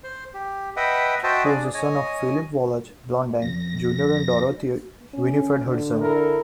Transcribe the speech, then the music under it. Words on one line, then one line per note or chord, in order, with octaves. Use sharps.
He was the son of Philip Wallach Blondheim, Junior and Dorothy Winifred Hudson.
C5 C6
G4
B4 D#5 E5 F#5 G5
F#4 C5 D#5 E5 G5 A5
D4 G#4 D5
C#5 D#5 G#5
F2 A#6
C#4
D3
E4 A4 A#4